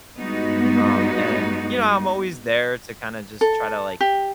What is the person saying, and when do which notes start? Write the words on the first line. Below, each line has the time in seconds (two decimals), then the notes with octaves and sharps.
Um, and, you know, I'm always there to, kinda, just try to, like,
0.17 G2 G3 G#3 B3 D#4 F#4
3.41 A4
4.01 G4